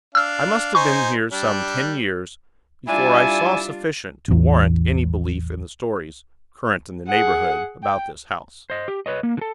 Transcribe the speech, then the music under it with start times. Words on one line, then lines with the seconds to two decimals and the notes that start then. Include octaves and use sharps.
I must have been here some ten years before I saw sufficient to warrant any belief in the stories, current in the neighborhood, about this house.
0.15 D4 F5 E6 F6
0.75 D#4 C5 G#5 C#6
1.32 G3 D4
2.87 G3 D4 E4 F4 D5 E5 G#5
4.28 A1 E2
7.08 G#4 F#5
7.83 G5
8.70 C5 D#5
8.88 G4
9.06 B4 C#5 D#5
9.23 A#3
9.37 D3 A4